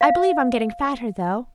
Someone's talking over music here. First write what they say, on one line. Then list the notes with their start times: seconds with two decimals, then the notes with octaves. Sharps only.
I believe I'm getting fatter, though.
0.01 F5